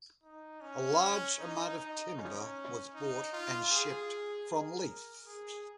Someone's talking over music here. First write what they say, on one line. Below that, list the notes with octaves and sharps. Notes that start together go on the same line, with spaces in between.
A large amount of timber was bought and shipped from Leith.
D#4
C#4
D#4
D#4
C#4
D#4
F4
G#4
A#4
G#4